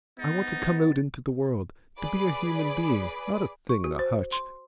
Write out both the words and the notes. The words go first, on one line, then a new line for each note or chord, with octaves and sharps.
I wanted to come out into the world, to be a human being--not a thing in a hutch.
G#2 B3 D#4 A6
G#4 B4 D5 B5 D6
C#6
F#4
C5
C6